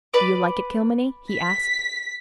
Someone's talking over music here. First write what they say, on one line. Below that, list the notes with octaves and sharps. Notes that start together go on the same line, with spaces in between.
"Do you like it, Kilmeny?" he asked.
B4 D5 D6
B6